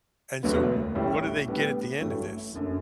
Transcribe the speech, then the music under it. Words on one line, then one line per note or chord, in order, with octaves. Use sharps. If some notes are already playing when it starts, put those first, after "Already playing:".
and so w what do they get at the end of this?
E1 D2 D3 F#3 B3
A1 A2 G3 C#4 E4
A2 G3 B3 D4
A1 G2 F#3 A3 E4
F#1 F#2 D3